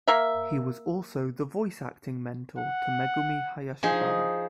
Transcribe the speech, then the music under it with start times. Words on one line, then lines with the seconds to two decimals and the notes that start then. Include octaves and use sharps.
He was also the voice acting mentor to Megumi Hayashibara.
0.08 A#3 A#4 E5
2.58 F#5
3.83 F3 D#4 G#4